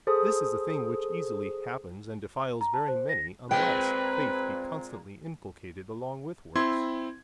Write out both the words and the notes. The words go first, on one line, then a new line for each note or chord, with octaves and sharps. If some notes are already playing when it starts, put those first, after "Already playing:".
This is a thing which easily happens, and defiles very many, unless faith be constantly inculcated along with works.
G#4 A4 C5 D#6
A#5
A5
C5
A#6
A#2 G#3 A#3 C4 B4 G5
C4 E4 C6 G#6